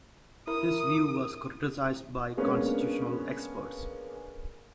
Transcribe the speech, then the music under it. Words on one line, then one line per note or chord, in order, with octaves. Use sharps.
This view was criticized by constitutional experts.
E4 A#4 D#6
G#3 A#3 B3 C#4 D4 B4